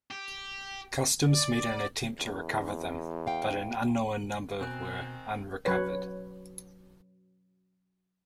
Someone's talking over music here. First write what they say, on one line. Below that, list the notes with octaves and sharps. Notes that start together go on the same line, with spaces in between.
Customs made an attempt to recover them, but an unknown number were unrecovered.
G4
D5
E2
F5 G5
B2 D#3 C4 G#5 F#6
F#3 B4 C#5